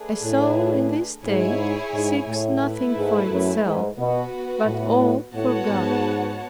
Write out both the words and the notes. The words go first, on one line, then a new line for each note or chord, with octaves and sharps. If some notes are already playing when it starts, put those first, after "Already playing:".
A soul in this state seeks nothing for itself, but all for God.
Already playing: A3 D4 G#4 B4
A2
G#2 E4 G#4 C#5 G#5
G#2
A2
A3 E4 B4
G#2
F#2
G#2
B2 B3 F#4 B4
A2
A2 B3 F#4 C#5 F#5 A5
G#2